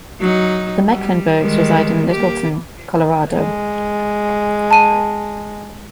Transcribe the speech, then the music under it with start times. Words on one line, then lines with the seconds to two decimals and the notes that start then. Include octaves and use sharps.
The Mecklenburgs reside in Littleton, Colorado.
0.21 F#3 D#4
0.91 G3
1.39 D#3 G3 G#3
2.10 A#3 G4
3.36 G#3
4.71 A5 D#7